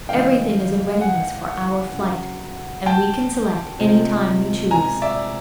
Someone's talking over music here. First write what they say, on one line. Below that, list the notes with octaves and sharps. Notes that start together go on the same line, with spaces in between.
Everything is in readiness for our flight, and we can select any time we choose.
C#3 E3 G#3 F5 G5
F#5 G#5
C#3 F#3
G5 A5
C3 F3 G#3
G#5 A#5
D5 E5